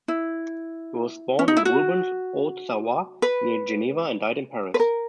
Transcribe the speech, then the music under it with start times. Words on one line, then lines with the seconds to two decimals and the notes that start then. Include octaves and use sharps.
He was born in Vulbens, Haute-Savoie, near Geneva, and died in Paris.
0.08 E4
1.39 C#4
1.48 D#4
1.57 E4
1.65 F#4
3.22 B4
4.74 B4
4.80 A#4